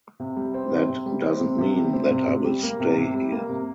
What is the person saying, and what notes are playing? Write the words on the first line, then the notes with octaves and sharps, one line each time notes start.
That doesn't mean that I will stay here.
C3
G3
C4
C3
C3
G3
C4
C3
C3
G3
C4
C3
C3
G3
A#3
C3
C3
G3
A#3
C3